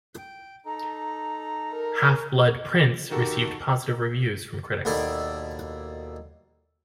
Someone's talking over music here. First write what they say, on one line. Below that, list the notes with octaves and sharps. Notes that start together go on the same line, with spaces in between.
"Half-Blood Prince" received positive reviews from critics.
G5
D#4 A4 A#5
A#4
D#3 F#4 G4 A4 A#4
D#2 B2 E4 A4 D5